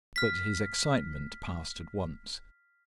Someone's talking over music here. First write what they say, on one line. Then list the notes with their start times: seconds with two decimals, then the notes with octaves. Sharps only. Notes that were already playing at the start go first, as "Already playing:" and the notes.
But his excitement passed at once.
0.16 F6 B6